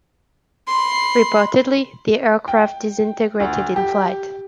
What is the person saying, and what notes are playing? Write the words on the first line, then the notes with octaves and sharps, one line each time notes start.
Reportedly, the aircraft disintegrated in flight.
B5 C6
G5
D2
G4